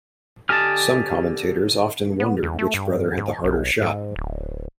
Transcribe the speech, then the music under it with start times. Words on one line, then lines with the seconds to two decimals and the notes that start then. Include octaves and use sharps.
Some commentators often wondered which brother had the harder shot.
0.49 D3 G4 D#5 G#5 A5 F6
2.20 B3
2.43 E2
2.59 A3
2.74 G2
3.17 G#2
3.44 B1
3.82 G#2
4.16 D1